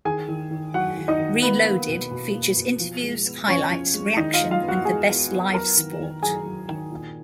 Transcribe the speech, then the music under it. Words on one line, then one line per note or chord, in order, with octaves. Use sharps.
Reloaded features interviews, highlights, reaction and the best live sport.
D#3 G#4 G#5
D#3
D#3
F#3 F#4 F#5
D#3
D#4 D#5
D#3
A#3 B3 B4
A#3
B2
B2
A#3
B2
F3
G#3
B3
F3 C#4 C#5
F3
G#3
D#3 D#4 D#5
F4 F5
G#3
F4 F5
B3
F#4 F#5
G#3 G#4 G#5
B3
B3
F#3 A#4 A#5
D#3
D#3
F#3 G#4 G#5
F#3
D#3
A#2